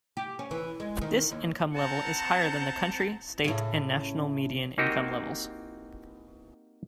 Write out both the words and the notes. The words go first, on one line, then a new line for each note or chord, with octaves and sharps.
This income level is higher than the county, state, and national median income levels.
G4
C#4
E3
G#3
D#3
D#2
C4 F#5 A5 A#5 G6
A2 C#3
A#3 C4 D#4 F#4 G4